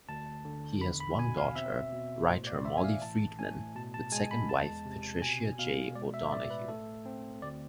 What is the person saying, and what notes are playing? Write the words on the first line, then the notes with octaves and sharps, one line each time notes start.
He has one daughter-writer Molly Friedman-with second wife Patricia J. O'Donohue.
D2 A5
D3
E2 B5
B5
B2 G#5
F5
C4 E5
B2
A2 C5
D5
E3 E5
G#5
F5
A2 A5
A2 G#5
B2 A5
A5
G#3 G#5
B5
E2 A5
C3
B2 G#5
B2 F5
G#3 D5
E5
A2 D5
B4
A3 A4
C4
D2 D5